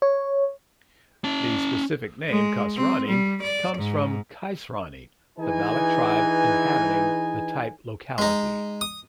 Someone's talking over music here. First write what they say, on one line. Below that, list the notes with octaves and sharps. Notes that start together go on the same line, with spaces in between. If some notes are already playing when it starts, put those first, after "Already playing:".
The specific name "kasrani" comes from Qaisrani, the Baloch tribe inhabiting the type locality.
C#5
C#4 A5
G#3
C4
G3
D5
G#2
E3 D#4 G#4 B4 G#5
G#3 D#4
D#6